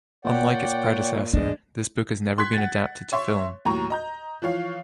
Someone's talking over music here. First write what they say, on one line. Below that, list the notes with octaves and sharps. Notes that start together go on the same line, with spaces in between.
Unlike its predecessor, this book has never been adapted to film.
A#2 C#5 D5 F#5 G5
E2 G#3 D4 D#5
C6 F#6 G#6 B6
F#5 A6
C#5 E5 C6 C#6
D#2 A2 F#3 A#5 C#6
D#5 A#5 G6
E3 F3 C#5 F5